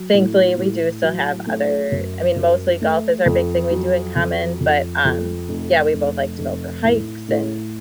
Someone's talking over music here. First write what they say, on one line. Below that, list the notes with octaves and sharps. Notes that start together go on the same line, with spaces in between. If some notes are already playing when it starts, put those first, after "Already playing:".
thankfully, we do still have other I mean, mostly golf is our big thing we do in common, but, um Yeah, we both like to go for hikes and,
Already playing: F#3
A2
A2
F#3
A3
F#2
F#2
A3
F2
F#3
F2
F2
F2
F1
F1
F1
A2
A2